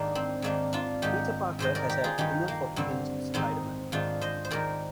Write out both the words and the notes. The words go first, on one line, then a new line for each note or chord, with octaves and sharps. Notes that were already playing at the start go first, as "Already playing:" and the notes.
Peter Parker has had enough of being Spider-Man.
Already playing: G#2 D#3 A#3 D4
C4
G#2 D#3 A#3 D4
D4 F4
G#2 D#3 D#4 G4
G#2 D#3 C5 D#5
A#4 D5
G4 A#4
F4 G#4
G2 D#3 D#4 G4
A#3
G2 D3 C4
G#2 D#3 C4 D#4
G#2 D#3 D4 F4
C5 D#5
C5
G#2 D#3 A#4 D5